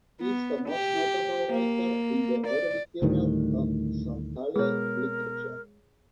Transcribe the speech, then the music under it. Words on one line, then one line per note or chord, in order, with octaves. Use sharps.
He is the most notable writer in the early period of Santhali literature.
B3
G4
A#3
D5
D2 A2 D#3 G3
B2 G#3 B3 G#4 A#4 C#5